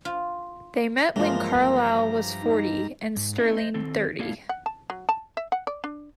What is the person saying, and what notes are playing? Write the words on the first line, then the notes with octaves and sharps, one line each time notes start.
They met when Carlyle was forty, and Sterling thirty.
F4
G2 E3 F3 G#3 A#3 F4 A#5
D#4
G#2
B3 C#4 D#4 E4 A#4
C5 D#5
D#3 C4 A4
A#3 D4 E4 A4 F5
F#5
A5
F#3
A5
E5
F#5
D5
D4